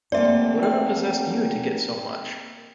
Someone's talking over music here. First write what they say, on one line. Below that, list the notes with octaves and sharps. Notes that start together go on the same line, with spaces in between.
Whatever possessed you to get so much?
F1 A#3 C5 D5 E5
G5